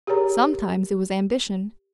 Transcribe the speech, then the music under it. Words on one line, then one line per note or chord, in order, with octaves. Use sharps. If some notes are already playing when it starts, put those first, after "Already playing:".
Sometimes it was ambition.
G4 G#4 A#4 C#5 A#5